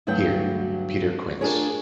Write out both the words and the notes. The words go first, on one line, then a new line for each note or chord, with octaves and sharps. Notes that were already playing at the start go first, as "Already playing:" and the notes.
Here, Peter Quince.
D2 G2 F#3 B3 F#4 G5
D4 F4 G4 G#4 A#4 C#5